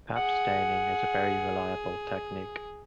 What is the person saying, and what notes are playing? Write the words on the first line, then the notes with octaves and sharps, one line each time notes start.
Pap staining is a very reliable technique.
G#4 F#5